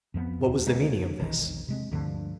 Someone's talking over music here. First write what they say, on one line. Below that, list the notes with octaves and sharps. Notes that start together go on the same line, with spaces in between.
What was the meaning of this?
F2 F3 A3 B3
D#2 A#2
D2 G#3 A#3 C#4
E1 A#1 D#3 E3
C3 G#3 C4
D2 G2 D3 F3